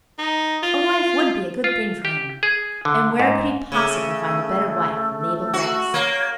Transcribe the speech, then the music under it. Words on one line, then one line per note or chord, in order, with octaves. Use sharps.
A wife would be a good thing for him; and where could he possibly find a better wife than Mabel Grex?
D#4
F4
F4
G4
G#4
D3
G#2
C#3 A3
F#4
A#3 C#5